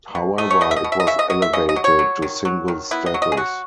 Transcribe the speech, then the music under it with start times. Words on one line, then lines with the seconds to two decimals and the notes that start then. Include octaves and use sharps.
However, it was elevated to single status.
0.15 B2
0.38 A3 D#5
0.50 C#5
0.61 B2 D#5
0.71 E5
0.76 D#5
0.84 B2
0.92 E5
1.00 D#5
1.07 C#3 E5
1.19 D#5
1.30 F#3 D#5
1.42 E5
1.53 C#3 D#5
1.69 D#5
1.76 F#3
1.84 C#5
1.99 F#3
2.22 D#3
2.45 F#3
2.68 D#3
2.91 B3 E4
3.06 D#5
3.14 F#3
3.22 D#5
3.32 G#4
3.37 F#3 F#4